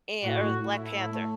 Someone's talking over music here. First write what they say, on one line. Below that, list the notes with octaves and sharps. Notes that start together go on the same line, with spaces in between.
and or Black Panther.
A2 F#4
A2
A2
A3 E4
A2
A3